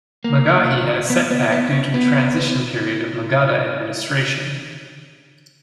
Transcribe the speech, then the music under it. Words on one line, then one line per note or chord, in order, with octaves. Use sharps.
Magahi had a setback due to the transition period of Magadha administration.
A#3
B3
B3
B3
C#4
B3